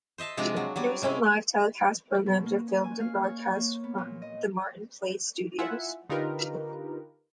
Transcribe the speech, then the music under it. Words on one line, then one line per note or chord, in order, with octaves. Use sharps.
News and live telecast programs are filmed and broadcast from the Martin Place studios.
C5 D#5 E5 A5
C3 F3 G#3 D4 D5 A#5
F#3
F#3 G3 D5
C3 G#3 C#4 E4
B2
A#3
C#4
G#5
F5
C#5
C#5
A#3
B3
A#2
D#5
E4 F4 E5 F#5 G#5
D3 D#4 F4 G4 A#4 B4